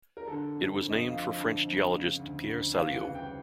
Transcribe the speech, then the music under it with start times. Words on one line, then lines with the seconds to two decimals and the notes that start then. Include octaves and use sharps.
It was named for French geologist Pierre Saliot.
0.17 A#4
0.28 D3 A4
0.55 F2
0.82 F2
0.90 D#5
1.10 F3 F5
1.38 D3
1.64 F2
1.92 C#3
2.19 D2
2.46 D2
2.73 E3 F5
2.94 F#5
3.00 C#3
3.15 G5